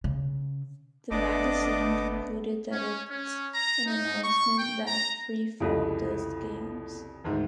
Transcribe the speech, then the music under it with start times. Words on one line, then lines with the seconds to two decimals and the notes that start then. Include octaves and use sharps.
The magazine concluded that it's an announcement that Free Fall does games.
0.04 C#3
1.11 G1 A3 B3 D4 D#5 D6
2.70 C#4
3.09 C#4
3.53 A#5
3.86 D#4
4.24 C#6
4.58 G5
4.87 A#5
5.60 C2 F2 C#3 E4 F4 A4
7.24 D2 G#2 D#3